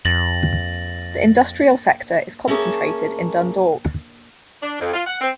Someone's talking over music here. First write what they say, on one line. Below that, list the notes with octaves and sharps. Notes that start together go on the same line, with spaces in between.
The industrial sector is concentrated in Dundalk.
F2 A6 A#6 F#7
A3 A#3 C#4 G#4 C#5 A5
D4
F2
F4
F#5
C4